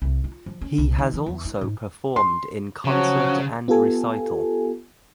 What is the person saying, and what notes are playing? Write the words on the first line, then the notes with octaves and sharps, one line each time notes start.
He has also performed in concert and recital.
C2
F4
F3
C#4
C2
D#3
E3
E2
E4
G#2
C6
C#3 F3 F#3 F#4
B3 F4 G4 A4 G#5